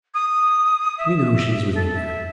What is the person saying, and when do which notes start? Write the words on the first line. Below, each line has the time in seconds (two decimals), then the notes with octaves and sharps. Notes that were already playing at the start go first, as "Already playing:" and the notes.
We know she is within there.
0.14 D#6
0.98 E5
1.74 A4
1.94 E5